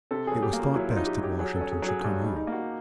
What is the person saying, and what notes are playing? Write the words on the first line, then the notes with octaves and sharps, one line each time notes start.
It was thought best that Washington should come home.
C3 A4
F#3 G#4
G4
A#3
F4
F#3 E4
F4
D#4
G4
F#3
G4
F#3 G#4
A4
C#4
G#4
F#3
G#4
G2 G4
D#4
G3
D#4
A#3 F#4